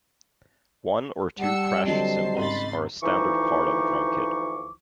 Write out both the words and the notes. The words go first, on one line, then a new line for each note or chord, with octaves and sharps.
One or two crash cymbals are a standard part of a drum kit.
G3 D4 F#5 E6 C#7
D3 F#3 C4 C5 D#5 A5 C7
G#1 C#3 B5 C6 A6 D#7
D2 E3 F3 D#4 C#6 D6